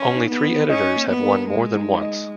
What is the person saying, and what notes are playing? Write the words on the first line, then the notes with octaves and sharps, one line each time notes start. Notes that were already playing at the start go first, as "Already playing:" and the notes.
Only three editors have won more than once.
Already playing: C#4
D#4
B3
D#4
C#4 D#5
A#3
B3
A#4
G#3 A#4
D#4
D#5